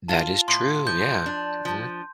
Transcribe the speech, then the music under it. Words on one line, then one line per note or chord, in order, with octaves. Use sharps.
That is true, yeah, mhm.
F4 A5
A2 C6
F3 G6
D4
F3